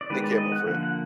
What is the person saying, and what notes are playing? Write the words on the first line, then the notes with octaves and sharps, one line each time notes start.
Take care, my friend.
D5
D#3 G#3 B3 B4
D5
D#5
F#5
D3 F3 A#3 F#5
F#5